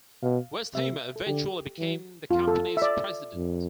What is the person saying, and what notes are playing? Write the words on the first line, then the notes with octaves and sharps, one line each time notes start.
Westheimer eventually became the company's president.
B2 F5
C3 E5
A4
D3 G4
E3
F2 F4
A4
E5
D5
F2